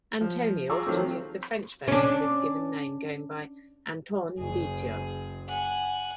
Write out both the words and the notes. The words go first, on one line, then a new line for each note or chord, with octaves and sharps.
Antonio often used the French version of his given name, going by Antoine Beato.
F3
F4 G#4 A#5 C#6 D6 E6
D#3 F3 F#3 A3 C4
C#4 D4
F#1 G#4
F#5 G#5